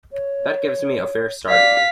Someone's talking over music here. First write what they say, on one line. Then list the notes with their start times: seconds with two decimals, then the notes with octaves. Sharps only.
That gives me a fair start.
0.13 C#5
1.49 D5 F5 B6